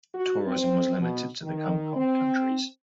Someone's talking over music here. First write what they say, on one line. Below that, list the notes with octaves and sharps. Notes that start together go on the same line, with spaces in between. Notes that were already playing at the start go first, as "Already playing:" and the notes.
Tourism was limited to the Comecon countries.
F#4
C4
B2
D#3
C4